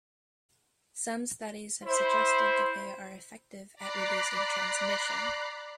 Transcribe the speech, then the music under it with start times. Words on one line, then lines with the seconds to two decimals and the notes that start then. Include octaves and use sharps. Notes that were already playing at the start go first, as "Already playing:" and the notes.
Some studies have suggested that they are effective at reducing transmission.
1.84 E4 C5
3.75 D5 A#5 B5 D6 F#6 C7